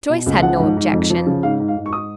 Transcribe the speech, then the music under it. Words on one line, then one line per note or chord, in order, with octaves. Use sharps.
Joyce had no objection.
B2
C#2
F3 F#5
G#2
G#2
F2
F3
C#3
G#2 F5
G#2
F5
G#2
C#6
D#6